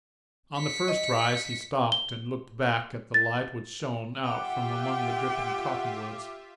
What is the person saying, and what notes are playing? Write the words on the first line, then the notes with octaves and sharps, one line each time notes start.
On the first rise he stopped and looked back at the light which shone out from among the dripping cottonwoods.
B6 C#7
D#5
G7
A6
F4 G4 E5 F#5 G5 D6